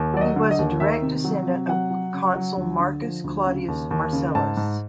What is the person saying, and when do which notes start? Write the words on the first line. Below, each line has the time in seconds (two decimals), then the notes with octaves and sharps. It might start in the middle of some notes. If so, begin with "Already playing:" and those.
He was a direct descendant of consul Marcus Claudius Marcellus.
Already playing: D#2
0.14 F#3 D5
0.21 D#5
0.36 D3
0.51 D#5
0.59 D#2
0.80 D#3 E5
1.02 C3
1.24 F#3
1.47 C3
1.69 F#3 F#5
1.91 F#3
2.14 C#3
2.36 F#3
2.57 D2
2.80 D3
3.01 F3
3.24 D2
3.46 C#3
3.68 D#2
3.91 D#2
4.13 C#3
4.35 G#2 A5
4.57 G#2